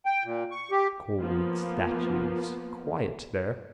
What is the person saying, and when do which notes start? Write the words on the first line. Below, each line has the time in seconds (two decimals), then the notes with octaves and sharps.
Cold statues: quiet there.
0.06 G5
0.24 A#2
0.51 C#6
0.71 G4
1.20 F3 A#3 B3